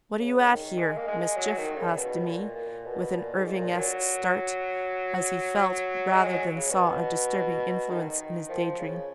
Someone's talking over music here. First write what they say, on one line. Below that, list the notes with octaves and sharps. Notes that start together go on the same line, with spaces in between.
'What are you at here, Mischief?' asked Demi, with an Irvingesque start, as he felt rather than saw a disturbing influence in his day-dream.
C#3
D#3
G#3
A#3
G#3
F#3
D#3
C#3
B2
A#2
A#2
B2
A#2
G#2
A#2
F#3
G#3
F#3
C#3
B2
D#3
F3
C#3